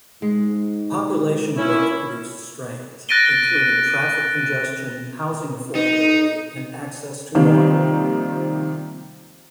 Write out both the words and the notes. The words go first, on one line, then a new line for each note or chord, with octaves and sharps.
Population growth produced strains, including traffic congestion, housing affordability, and access to water.
G#2 G#3
C#4 E4
F#6 A6 A#6 D7 D#7 G7
D#4
C3 D#3 F3 G3 A#3 C4